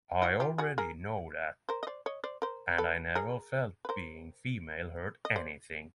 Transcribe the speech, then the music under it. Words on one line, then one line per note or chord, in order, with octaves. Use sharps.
I already know that, and I never felt being female hurt anything.
E4 F#4
F4 G4
F#4 G#4
G#4 A#4
A#4 C5
D#5
C5 D5
C#5 D#5
C5 D5
A#4 C5
A4 B4
G#4 A#4
B4
A#4 C5
D#5
C5 D5